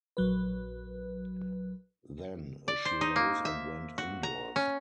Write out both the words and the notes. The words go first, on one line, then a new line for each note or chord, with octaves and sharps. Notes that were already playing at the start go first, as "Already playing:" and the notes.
Then she rose and went indoors.
A#1 F#3 B4
D5
C5
D#4
A#3
E5
F#4
A#5
C#4